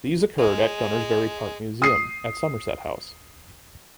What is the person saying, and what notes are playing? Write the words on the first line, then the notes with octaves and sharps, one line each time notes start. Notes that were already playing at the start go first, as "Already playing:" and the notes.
These occurred in Gunnersbury Park Museum and at Somerset House.
G#3
D#6 C7